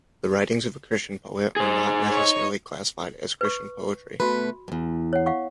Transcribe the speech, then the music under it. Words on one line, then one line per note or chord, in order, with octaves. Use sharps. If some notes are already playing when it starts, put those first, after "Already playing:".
The writings of a Christian poet are not necessarily classified as Christian poetry.
G#4 C5
D#4 C#5
B4 C#6
B2 A3 F#4 B4 B5
E2 G2
C#5 F#5
F5 F#5 C#6